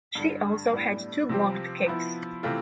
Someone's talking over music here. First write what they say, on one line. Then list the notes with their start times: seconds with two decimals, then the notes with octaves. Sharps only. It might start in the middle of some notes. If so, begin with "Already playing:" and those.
She also had two blocked kicks.
0.15 G2 D3 G3
0.73 A2 G3 B3 D4
1.29 C3 F3 C4 G4 C5
1.86 F3 B3 E4
2.43 C3 E3 A3 C4 F4